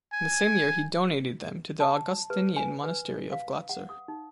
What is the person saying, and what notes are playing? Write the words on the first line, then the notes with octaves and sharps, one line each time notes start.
In the same year he donated them to the Augustinian monastery of Glatzer.
G#5
A5
B4
G#5
B4
F5
F#5
D#6
D#4